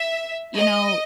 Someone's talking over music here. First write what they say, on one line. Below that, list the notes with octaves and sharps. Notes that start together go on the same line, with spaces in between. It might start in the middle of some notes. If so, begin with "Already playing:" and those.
you know,
Already playing: E5
D#5